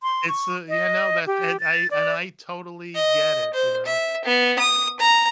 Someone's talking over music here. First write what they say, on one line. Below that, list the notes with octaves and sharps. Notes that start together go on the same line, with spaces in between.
It's a you know that that I and I totally get it, you know,
C6
C#6
D#5
G4
A6
D5
D#5
C5
E5
B3
D#6
A#5